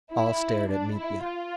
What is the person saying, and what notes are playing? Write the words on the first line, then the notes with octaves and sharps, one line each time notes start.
All stared at Mitya.
E4
D4
E4
F4